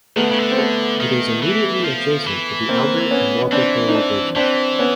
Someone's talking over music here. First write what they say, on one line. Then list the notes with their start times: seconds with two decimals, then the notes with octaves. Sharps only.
It is immediately adjacent to the Albert and Walter Taylor Bridges.
0.16 D#3 A3 B3
0.24 D3
0.30 C#3
0.38 D3
0.51 C4
0.58 A3 B3
1.00 D#3
1.42 E3
1.84 F3
2.26 E3
2.69 A#3 C4
3.11 B3 C#4
3.52 E3 C4 D4
3.88 D#4
3.94 C4 D4
4.36 E3 C4 D4
4.79 B3 C#4